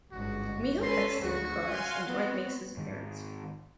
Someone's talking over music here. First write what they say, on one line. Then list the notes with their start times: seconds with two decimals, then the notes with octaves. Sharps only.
Miho cuts through the guards and Dwight makes his appearance.
0.12 G1 C#2 G#2 F#4
0.82 C#4 A4 B4 C6
1.23 D2 C#3 F#4 C#6
1.70 F5 G#5 C6
2.06 B3 C4
2.77 G#2 D#3